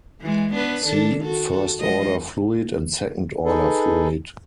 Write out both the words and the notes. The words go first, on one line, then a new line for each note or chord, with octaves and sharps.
See first-order fluid and second-order fluid.
E3 G#3
B3 D4 B4
D#3 D4 A4
F#4 A4
F3 G#3 D#5
D#4 G#4 A4 B4